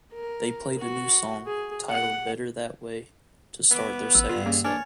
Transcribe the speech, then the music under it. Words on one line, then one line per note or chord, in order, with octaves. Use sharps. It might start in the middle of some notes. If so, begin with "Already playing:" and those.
They played a new song, titled "Better That Way", to start their second set.
A#4
F#4
G#4
F#5
B3 E5 D6
A1 E6
G2 D3 F4
C#3 A#3
D4 C#5 G#5 F6 A6